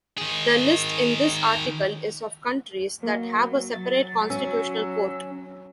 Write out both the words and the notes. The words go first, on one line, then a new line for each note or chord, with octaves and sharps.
The list in this article is of countries that have a separate constitutional court.
D#3 G#4
F#3 A#3
F#3 A6
C#4 E6